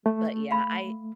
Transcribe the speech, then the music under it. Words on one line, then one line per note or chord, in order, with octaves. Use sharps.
Mm, but yeah, I
A3
F5 B5